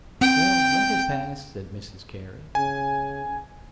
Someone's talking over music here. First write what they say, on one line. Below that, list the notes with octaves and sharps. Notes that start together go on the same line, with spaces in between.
"Well, let it pass," said Mrs Carey.
C4 G5
C#3 G#5